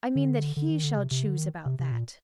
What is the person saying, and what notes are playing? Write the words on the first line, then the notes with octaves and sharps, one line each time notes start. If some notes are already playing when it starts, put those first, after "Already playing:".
"I mean that he shall choose about that."
D3
D3
D#3
D3
C3
C3
D3
D#3
C3
C3
A#2